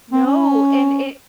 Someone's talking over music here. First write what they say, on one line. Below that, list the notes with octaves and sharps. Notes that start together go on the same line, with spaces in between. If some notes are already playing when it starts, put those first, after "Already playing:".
No. And it
C4
C#4